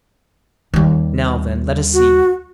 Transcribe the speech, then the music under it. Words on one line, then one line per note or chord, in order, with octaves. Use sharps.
Now, then, let us see.
D#2 G3
F#4